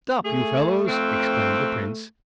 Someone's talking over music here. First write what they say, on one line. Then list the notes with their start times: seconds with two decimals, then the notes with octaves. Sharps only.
"Stop, you fellows!" exclaimed the prince.
0.24 A3 G#4
0.86 F2 C4